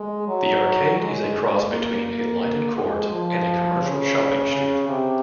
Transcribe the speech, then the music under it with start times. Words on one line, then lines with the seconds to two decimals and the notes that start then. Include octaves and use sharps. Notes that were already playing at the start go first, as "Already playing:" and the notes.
The Arcade is a cross between a lighted court and a commercial shopping street.
Already playing: G#3
0.27 F#3
0.98 G#3
1.34 G#3
1.69 A#3
2.04 A#3
2.75 G#3
3.11 F3
3.81 C#3
4.53 C#3
4.88 C3